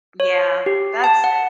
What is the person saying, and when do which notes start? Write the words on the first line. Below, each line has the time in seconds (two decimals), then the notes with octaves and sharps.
Yeah. That's e
0.20 C#5
0.66 G4
1.04 A5
1.24 F#5